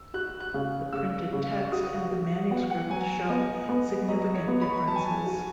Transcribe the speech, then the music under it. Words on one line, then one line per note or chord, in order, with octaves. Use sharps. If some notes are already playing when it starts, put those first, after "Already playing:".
The printed text and the manuscript show significant differences.
Already playing: E6
F#4 F#6
F#6
C#3
C#3 E6
C#3
C#6
F#4 D#6
F#4
B3 F#5
F#5
F#3 G#5
B3 D#5
B3
F#3 D#5
C#5
B3
B5
C#6
B5
F#3 A5
G#5
A5
F#4